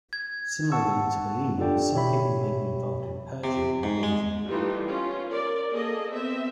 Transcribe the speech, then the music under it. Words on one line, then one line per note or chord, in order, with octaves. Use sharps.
Similarly to bulimia some people may be involved in purging and binging.
G#6
F#5 A5 C#6 E6
D4 F4 G4 A4 D5 G5
B2 G4 C#5 E5 B5
C3
G#2
G#3
E3 G3 A3 D#4 F4 G4
C#4 F4
A#4 D5
A#3 G#4 A4 D#5
B3 C4 E5